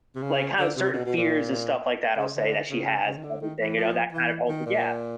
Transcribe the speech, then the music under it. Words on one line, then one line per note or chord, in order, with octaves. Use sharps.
like, kinda certain fears and stuff like that, I'll say that she has and everything, you know, that kind of whole yeah,
C3
C#3
D3
C3
B2
B2
A#2
C#3
D3
C#3
C#3
D#3
D3
D#3
E3
F3
E3
D#3
A#2